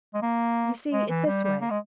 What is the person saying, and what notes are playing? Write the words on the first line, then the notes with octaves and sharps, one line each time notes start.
You see it's this way.
G#3
A#3
G#3
E3
G3
G3
A#3
G#3